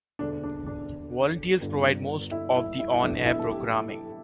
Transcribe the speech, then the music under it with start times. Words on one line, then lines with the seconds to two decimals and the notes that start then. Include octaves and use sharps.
Volunteers provide most of the on-air programming.
0.19 E1 D2 D3 D4
0.44 D4
0.67 D4
1.61 G1 G2 D3
2.31 E4
2.56 E4
2.79 E4
2.93 E4
3.02 B1 A2 E3 D4
3.26 E4
3.39 A4
3.50 G4
3.73 E4